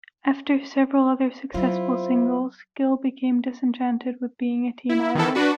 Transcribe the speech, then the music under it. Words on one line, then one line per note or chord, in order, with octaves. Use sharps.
After several other successful singles, Gil became disenchanted with being a teen idol.
F#3 C4 E4 F4 C5
E4
D#3 E3 E4 A4
D4 F#4 B4